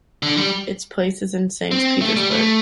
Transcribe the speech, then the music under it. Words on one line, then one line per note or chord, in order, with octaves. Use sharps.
Its place is in Saint Petersburg.
D3
G3
C4
A3
G3
A3